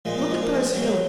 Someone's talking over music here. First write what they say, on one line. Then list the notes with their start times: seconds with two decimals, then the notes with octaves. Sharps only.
Look at those hills!
0.05 A#2 F3 G#3
0.18 A#3
0.30 G#3
0.43 A#3
0.54 G#3
0.74 F#3
0.82 G#3
0.88 F#3